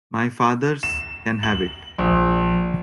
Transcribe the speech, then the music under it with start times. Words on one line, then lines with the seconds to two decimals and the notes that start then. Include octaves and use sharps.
My fathers can have it!
0.83 E7
1.43 F#7
1.98 A#1